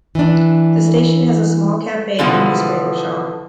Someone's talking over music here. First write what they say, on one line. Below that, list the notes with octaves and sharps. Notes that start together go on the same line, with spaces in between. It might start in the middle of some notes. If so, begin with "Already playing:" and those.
The station has a small cafe and newspaper shop.
E3 D4
B2 D3 E3 F3